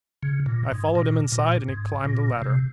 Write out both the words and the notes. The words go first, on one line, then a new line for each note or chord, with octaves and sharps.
I followed him inside and he climbed the ladder.
C#3
A#2
G#2
A#2
A#2
G#2
A#2
C3